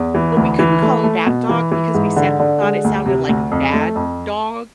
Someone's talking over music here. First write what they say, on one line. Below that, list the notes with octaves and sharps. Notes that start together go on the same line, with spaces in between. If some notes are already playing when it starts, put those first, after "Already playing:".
but we couldn't call him Bat Dog because we set thought it sounded like "bad dog."
Already playing: E2
E3
D2
E3
A3
A3
B2
E3
E3
G#2
D3
D3
G#3
D2
C3
D2
F2
A3
F2